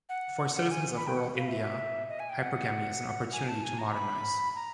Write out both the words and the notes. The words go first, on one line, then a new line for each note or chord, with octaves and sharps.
For citizens of rural India, hypergamy is an opportunity to modernize.
F#5
F#5
G#5
B5
G5
F#5
F5
E5
D#5
G#5
G5
F#5
G#5
A5
G#5
A#5
B5
A#5